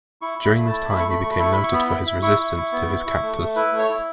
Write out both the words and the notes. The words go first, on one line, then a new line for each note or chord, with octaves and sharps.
During this time he became noted for his resistance to his captors.
E4 C#6
E4
B5
A3
E4 A5
A3 B5
C#6
A3
B5
A3 C#6
B5
E4 C#6
E4 B5
C#6
B3 B5
E4
E4
E4 C#6
E4
E4
B3
E4
E4
A3
A3
E4 B4
A3
C#5
E4